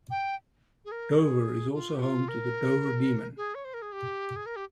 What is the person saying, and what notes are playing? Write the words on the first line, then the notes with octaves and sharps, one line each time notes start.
Dover is also home to the Dover Demon.
G5
G#4
A#4
G#4
F4
G4
F4
A#4
G#4
C#5
C5
A#4
G#4
G4
G#4
A#4
G4